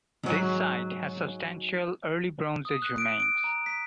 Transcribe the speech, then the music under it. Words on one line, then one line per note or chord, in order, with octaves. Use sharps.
The site has substantial Early Bronze Age remains.
G#2 F#3
D#6
F#6
D7
D7
A#5
B6